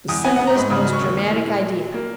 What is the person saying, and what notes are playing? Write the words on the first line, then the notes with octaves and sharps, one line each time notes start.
The simplest, most dramatic idea.
E2 D#6
B3 G#5
F#5
B3
A#5
G#2 B5
C#3 D#6
F#3
C#6
D#2
A#2
E4
A#2
F#3
F#3
A#3